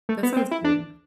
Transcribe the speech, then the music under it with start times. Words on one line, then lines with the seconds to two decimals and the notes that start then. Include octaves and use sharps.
That sounds good.
0.09 A3
0.23 B3
0.36 C4
0.51 E4
0.64 D4